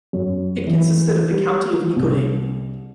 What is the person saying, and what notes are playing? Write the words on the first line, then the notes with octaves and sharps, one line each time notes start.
It consisted of the County of Nicolet.
F#2
E3
G3
C2